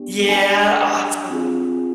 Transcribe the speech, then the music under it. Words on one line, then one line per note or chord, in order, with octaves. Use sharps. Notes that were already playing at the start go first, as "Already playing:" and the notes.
Yeah, awesome.
Already playing: B3 D4 G4
D4 G4 G#5
G#5
C4 F4 G#4